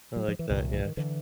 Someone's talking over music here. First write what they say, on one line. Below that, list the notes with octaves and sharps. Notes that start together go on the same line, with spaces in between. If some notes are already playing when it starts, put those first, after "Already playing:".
I like that, yeah.
F#3
F3
E3
C2 A#2 D#3
E3
D#3
D3 E3